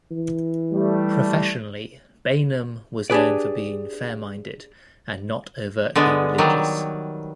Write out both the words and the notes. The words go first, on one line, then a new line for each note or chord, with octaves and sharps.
Professionally Bainum was known for being fair-minded and not overtly religious.
E3
G3 A3
D4 G4 G#4 B4 D5
D3 G#3 B3
D#3 F#3 G3